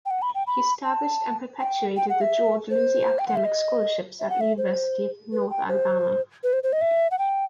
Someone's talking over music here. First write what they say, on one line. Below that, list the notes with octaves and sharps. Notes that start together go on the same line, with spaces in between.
He established and perpetuated the George Lindsey Academic Scholarships at University of North Alabama.
G5
F#5
B5
G5
B5
A5
G5
G5
F#5
E5
C5
G5
F#5
E5
D#5
E5
F#5
E5
C5
B4
G5
C5
B4
C5
C5
D#5
E5
F#5
G5